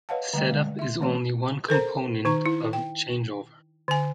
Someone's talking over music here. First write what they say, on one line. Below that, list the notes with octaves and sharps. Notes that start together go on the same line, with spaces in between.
Set-up is only one component of changeover.
B4 C#5 D#5 F5 F#5 A5
D3 G3 A3 D#5 G5
G#3
E5 C6
E3 A3 C4 C#5 C6
A4 A#4 C5 A#5
D#3 D#4 A#5
E4
G5
D3 G#5